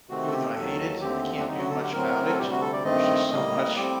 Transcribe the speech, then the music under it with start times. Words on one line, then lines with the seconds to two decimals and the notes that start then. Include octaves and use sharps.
even though I hate it, I can't do much about it, there's just so much
0.09 C3 D#3 A3 C4 F#4
0.27 A4
0.33 G4
0.55 D#2 D#3 F#3 A4
1.01 D#2 D3 A3 C4 G4
1.39 D4
1.47 D2 D3 F#3 D#4
1.58 F#4
1.70 A4
1.81 G4
1.92 A2 F#3 C4 A#4
2.29 A4
2.39 D2 C3 G3 G4
2.51 F#4
2.61 A4
2.73 D5
2.84 G2 D#3 A3 C4 D#5
3.30 A2 G3 A#3 D#5
3.76 A2 G3 C4 D6